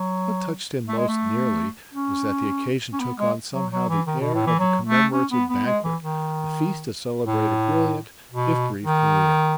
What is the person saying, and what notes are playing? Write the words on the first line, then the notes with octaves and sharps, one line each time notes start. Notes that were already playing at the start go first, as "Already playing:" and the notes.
What touched him most nearly was that the occasion took on somehow the air of a commemorative banquet, a feast to celebrate a brilliant if brief career.
Already playing: F#3
A3
G#3
A3
C#4
C#4
B3
G#3
F#3
F#3
E3
D#3
B2
A2
E3
F#3
A3
C#4
B3
B3
G#3
E3
D#3
A2
B2
D#3